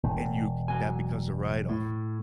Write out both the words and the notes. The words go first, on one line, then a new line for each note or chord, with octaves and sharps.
and you get that because of write-off.
E1
F#3 G#5
A2